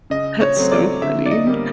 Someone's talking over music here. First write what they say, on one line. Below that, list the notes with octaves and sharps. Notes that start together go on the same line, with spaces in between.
That's so funny.
C#3 D#5
C#5
F#3 A3 C4
D5
D3 E5
D5
D#5
G3 A#3